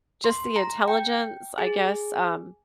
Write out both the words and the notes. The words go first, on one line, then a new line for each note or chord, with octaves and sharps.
just the intelligence, I guess, um,
C6
A#5
G5
G#4